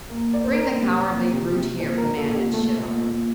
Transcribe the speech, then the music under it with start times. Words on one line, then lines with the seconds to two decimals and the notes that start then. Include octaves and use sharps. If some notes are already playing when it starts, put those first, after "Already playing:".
"Bring the cowardly brute here," commanded Chauvelin.
0.10 A#3
0.33 A#3 D5
0.44 C5
0.54 A#3 A#4
0.65 C5
0.83 C3
1.08 A#3
1.31 C3
1.56 C3
1.79 A#2 C5
1.98 A#4
2.04 A#2
2.17 A4
2.29 A#2
2.35 G4
2.53 A3 A4
2.78 A#2
3.02 A#2